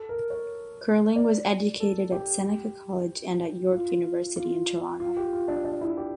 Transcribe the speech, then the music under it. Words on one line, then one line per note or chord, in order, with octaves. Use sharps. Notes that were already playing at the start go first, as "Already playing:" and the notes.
Curling was educated at Seneca College and at York University in Toronto.
Already playing: A4
A#4
C#5
D5
A4
G4
F4
F4
F4
G4
F4
D4
D4
E4
G4